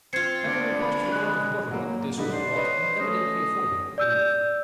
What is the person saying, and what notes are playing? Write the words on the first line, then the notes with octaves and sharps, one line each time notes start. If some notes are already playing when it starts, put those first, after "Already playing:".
Having requested a quart of buttermilk this was brought and evidently afforded relief.
C4 F4 G#6 C7 C#7
D2 D4 D5
D3 B5
G#3 F#6
F#3 A#3
D3 G3 D#4 B4
D4 C5
B4 C#5 D#5
A3 C#4 D#5
D5 E6 G6